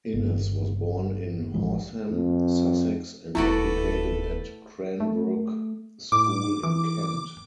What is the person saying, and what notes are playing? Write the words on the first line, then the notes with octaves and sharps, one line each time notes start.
Innes was born in Horsham, Sussex, and educated at Cranbrook School in Kent.
G1
A1 F3 G#3
F2
E1 D#2 A3 E4 F#4 A4 B4 D5
A3
A2 D6
E3 D6